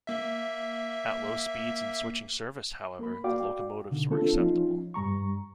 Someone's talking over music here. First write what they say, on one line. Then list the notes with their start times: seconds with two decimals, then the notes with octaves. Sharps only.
At low speeds in switching service, however, the locomotives were acceptable.
0.07 A#3 E5
2.99 A#3 A#4 B5
3.24 F#4 D5 F5 G5 D6
3.91 B2 D3 D#3
4.10 A3 A#3 C4 D4 F4 A4
4.33 F3 C#4 D#4 F4
4.94 G2 G3 A#5 C#6